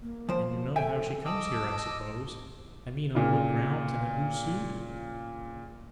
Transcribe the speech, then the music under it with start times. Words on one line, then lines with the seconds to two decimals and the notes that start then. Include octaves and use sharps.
'And you know how she comes here, I suppose; I mean on what grounds, and at whose suit?'
0.01 A#3
0.29 F3 C5
0.76 A4 E5 G5 G#5
1.25 D#5 A5 D6 E6
3.15 A#2 C#3